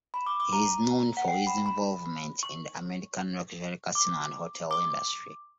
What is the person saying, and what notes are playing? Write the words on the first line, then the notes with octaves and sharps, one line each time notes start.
He is known for his involvement in the American luxury casino and hotel industry.
B5
D6
D6
A#5
F#5
G5
B5
B5
C#6
D6
D6